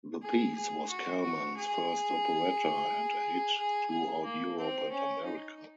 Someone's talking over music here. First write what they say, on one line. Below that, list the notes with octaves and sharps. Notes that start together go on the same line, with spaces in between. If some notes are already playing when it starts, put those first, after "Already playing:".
The piece was Kalman's first operetta and a hit throughout Europe and America.
G#4
G#4
F#4
F#4
G#4
G#4
G#4
A#3
C4
C#4
D#4